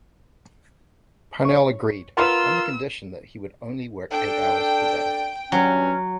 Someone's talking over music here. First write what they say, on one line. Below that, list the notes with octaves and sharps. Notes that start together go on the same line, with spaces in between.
Parnell agreed, on the condition that he would only work eight hours per day.
C#5 C#6
F4 A#4 B4 F#5 A#5 C6 E6
D4 A4 G5
G2 F#3 C#4